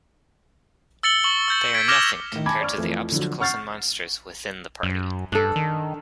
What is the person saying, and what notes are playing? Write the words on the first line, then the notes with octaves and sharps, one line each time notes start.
They are nothing compared to the obstacles and monsters "within" the party.
E6 A6 C#7 F#7 G7
C#6 F#7 G7
E6 G6 A6
G#6 B6 D7
D6 F6 G#6 A#6 E7 G7
A2 D#3
G#5 A5 B5 D6 G#6
D5 C#6 D6 F6 G#6
F2 E3 F3 A3
D3 F3 F#3
F#5 C#6 F6 G6 A6 C7
F#2
G2 D4 A4
D#3